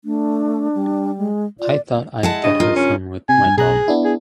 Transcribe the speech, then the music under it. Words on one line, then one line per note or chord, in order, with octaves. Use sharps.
I thought I'd get her some with my dollar.
A3 D4
G3
G#3
F4 D5
G#3 E4 F#5 A5
G2 C#3 D#5
F4 A#4
C#4
C3 G#5
G2 G#6
B1 G#4 A#5 F#6
B3 D4 E4
G#4